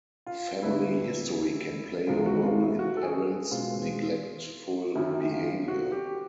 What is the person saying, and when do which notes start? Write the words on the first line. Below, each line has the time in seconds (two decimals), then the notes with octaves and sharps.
Family history can play a role in parents' neglectful behavior.
0.27 F4
0.63 D2 D3 G3 B3 E4
2.07 C#2 C3 D#3 G#3 C4 F4
2.26 F#4
2.44 F4
2.61 E4
2.79 F#4
2.97 A4
3.03 G#4
3.51 B2 G#3 C4 F4
4.95 F#2 D#3 F#3 A3 E4
5.32 F4
5.68 F#4
5.92 G4